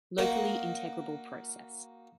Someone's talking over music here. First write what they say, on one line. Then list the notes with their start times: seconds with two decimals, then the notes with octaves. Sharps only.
Locally Integrable Process.
0.18 A#3 D#4 F#4 A#4